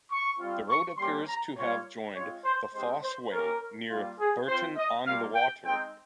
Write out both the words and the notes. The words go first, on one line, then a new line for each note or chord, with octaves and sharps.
The road appears to have joined the Fosse Way near Bourton-on-the-Water.
C#6
G3 C4 F4
C#6
G3 A#3 C#4 G4 C6
A#5
G3 A#3 F4 C#5
G#3 C4 F4 C#5
C5
G#3 C4 D#4 G4 C5
C5
A#3 C#4 G4 A#4
G3 A#3 F4
G#4
C4 F4 C5
D#5
G3 A#3 F4 F5
G5
G#3 C4 D#4 G5